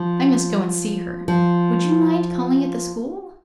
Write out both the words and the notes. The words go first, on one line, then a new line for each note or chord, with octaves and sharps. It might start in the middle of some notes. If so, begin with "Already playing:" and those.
I must go and see her; would you mind calling at the school?'
Already playing: F3
F3